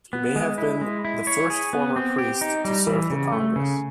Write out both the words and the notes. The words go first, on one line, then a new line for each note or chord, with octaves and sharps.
He may have been the first former priest to serve in Congress.
B3
G#3
E4
G#3
E4
C#5
G#4
B3
C4
G4
D#4
G3
E3
C#3
A3
C#3